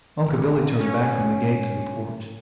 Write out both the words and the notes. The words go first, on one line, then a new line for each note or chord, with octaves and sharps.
Uncle Billy turned back from the gate to the porch.
G#1
C#4
G#2